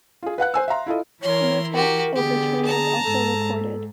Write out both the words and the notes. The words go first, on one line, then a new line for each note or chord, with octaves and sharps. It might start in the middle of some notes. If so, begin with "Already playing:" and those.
The "Macbeth" Overture was also recorded.
F4 G#4
B4 F5 F#5 F#6
C5 G#5 E6
E5 F5 A#5 C6
E4 F4 A4 D#5
E3 E4 A#4 C#5 C6
F#4 G4 A#4
D3 B3 G4 G#4
A5 A#5
G#2 A4